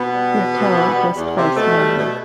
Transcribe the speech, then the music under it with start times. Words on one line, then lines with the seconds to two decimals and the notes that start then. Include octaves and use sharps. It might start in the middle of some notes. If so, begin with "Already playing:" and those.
Viertel was twice married.
Already playing: B2 B3
0.14 G3
0.35 E2
0.54 C3
0.75 E3
0.95 G3
1.16 E2
1.36 C3
1.56 B2 A3
1.76 G3
1.96 B2